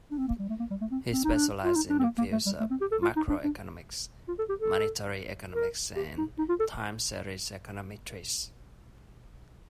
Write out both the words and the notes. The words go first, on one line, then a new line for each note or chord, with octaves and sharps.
He specializes in the fields of macroeconomics, monetary economics and time series econometrics.
D4
C4
A#3
G3
A3
A#3
G3
A3
C4
C4
D#4
D4
F4
D#4
D4
C4
A#3
A#3
A3
G3
A3
C4
G4
A4
F4
D#4
D4
D4
F4
A4
G4
A4
A#4
G4
D#4
D#4
F4
A4